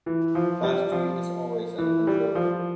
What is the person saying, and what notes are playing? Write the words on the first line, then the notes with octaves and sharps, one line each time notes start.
Class G is always uncontrolled.
E3
F3
G3
F3
E3
G3
F3